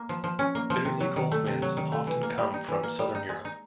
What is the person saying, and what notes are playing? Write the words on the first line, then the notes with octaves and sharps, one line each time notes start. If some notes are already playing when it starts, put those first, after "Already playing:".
Bitterly cold winds often come from Southern Europe.
Already playing: A#3
F3
F3
C#4
A#3
F3
C3
F#3
D#3
A3
C3
F#3
D#3
A3
E3
A#3
G3
D#4
E3
A#3
G3
D#4
G#3
D#4